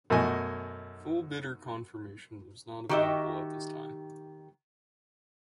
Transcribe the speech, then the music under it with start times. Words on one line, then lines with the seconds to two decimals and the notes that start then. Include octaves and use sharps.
Full bidder confirmation was not available at this time.
0.10 F#2 B2 A3 D#5 G#5
2.89 D#3 F#4 G4 D#5 E5